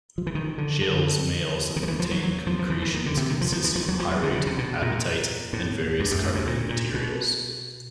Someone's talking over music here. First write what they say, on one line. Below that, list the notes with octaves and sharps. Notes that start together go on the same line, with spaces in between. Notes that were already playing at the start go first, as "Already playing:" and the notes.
Shales may also contain concretions consisting of pyrite, apatite, or various carbonate minerals.
F3
E3
D#3
D3
D3
D#3
F3
E3
F3
F#3
F#3
F3
F3
E3
E3
D#3
D3
C3
D#3
F3
F3
E3
F3
F#3
F3
F#3
D3
C#3
C3
B2
A#2
A2
G2
F#2
G2
G#2
A#2
A#2
B2